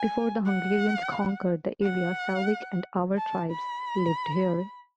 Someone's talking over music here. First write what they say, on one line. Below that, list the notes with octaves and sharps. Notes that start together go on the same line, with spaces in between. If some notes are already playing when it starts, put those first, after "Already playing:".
Before the Hungarians conquered the area, Slavic and Avar tribes lived here.
Already playing: G#5
F#5
F#5
A5
B5